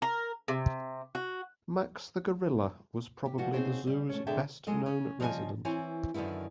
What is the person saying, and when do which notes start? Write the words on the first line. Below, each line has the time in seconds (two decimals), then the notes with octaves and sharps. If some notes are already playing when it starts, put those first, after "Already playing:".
Max the gorilla was probably the zoo's best known resident.
0.02 A#4
0.48 C3
1.15 F#4
3.26 G4
3.38 F3 G3 B3 F#4
3.52 C#3 B3 C4 D#4 F#4 G#4
3.87 G3
4.09 A3 C#4
4.27 B2 D3 G#4 E5 G5 A5
4.67 F#3 G#3 A4 D#5
4.86 C#4
5.20 C#3 F3 G3 G#4 D#5 G#5
5.65 E3 C4 E4 C#5 G#5
6.14 F#2 D3 D#3 B3 E4